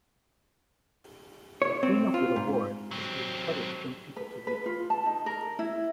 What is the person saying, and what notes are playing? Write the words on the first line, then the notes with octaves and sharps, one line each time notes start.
The aim of the reward is to encourage young people to read.
C#5
C4
F4
G#2
F#3 C4
B4
B4
F4
A5
D#4
A#4
E4